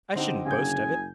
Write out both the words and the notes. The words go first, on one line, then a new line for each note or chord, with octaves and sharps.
I shouldn't boast of it.
D3 C4 D#4 G4
F#1 C#3 G#5 G6